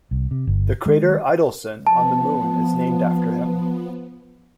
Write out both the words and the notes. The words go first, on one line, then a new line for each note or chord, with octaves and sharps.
The crater Idelson on the Moon is named after him.
C2
C3
G1
D#3 G#3
F3 B3 A5